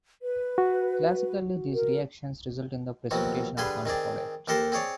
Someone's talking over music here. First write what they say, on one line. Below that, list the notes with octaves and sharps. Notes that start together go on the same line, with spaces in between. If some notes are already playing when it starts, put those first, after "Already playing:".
Classically, these reactions result in the precipitation of one product.
B4
F#4
A#4
D#2 B2 F3 F#3 C4
D3 G3 G#4 B4 G#5 C6
D#3 C4 G#4 D5
D#2 G4 A4 A#4 C5 C6
C4 G#4 C#5 D5